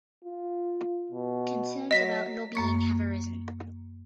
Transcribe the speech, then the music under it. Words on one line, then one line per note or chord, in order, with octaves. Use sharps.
Concerns about lobbying have arisen.
F4
B2
F#3 D#5 B6
F#2 A#3 C#6